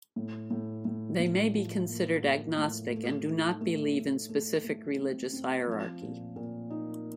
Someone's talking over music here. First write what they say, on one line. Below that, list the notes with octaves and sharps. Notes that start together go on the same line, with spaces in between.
They may be considered agnostic and do not believe in specific religious hierarchy.
A2
A2
A2
A2
F3
A#3
A#3
A2
A3
D#4
A3
A3
A3
A3
C4
C4
F3
A#2
A#2
D#4